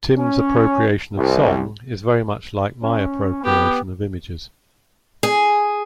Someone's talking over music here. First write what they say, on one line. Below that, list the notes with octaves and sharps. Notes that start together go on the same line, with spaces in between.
Tim's appropriation of song is very much like my appropriation of images.
C#4
C2
C#4
B3 G4
G#4